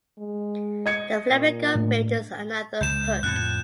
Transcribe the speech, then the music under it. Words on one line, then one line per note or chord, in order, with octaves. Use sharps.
The flamenco bit is another hook.
G#3
D#5 G#6 C#7
A#2
A2 D4
C#2 G6 E7
F2 A2 F#6